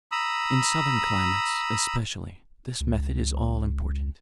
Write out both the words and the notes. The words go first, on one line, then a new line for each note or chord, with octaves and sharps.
In southern climates, especially, this method is all important.
A#5 B5 D#6 E6
C#2